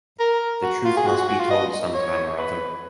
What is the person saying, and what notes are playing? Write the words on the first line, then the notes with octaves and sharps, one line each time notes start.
The truth must be told some time or other.
A#4
F#4
F4
G#4
F#4
F#4
F#4
F4
D#5
C#5
B4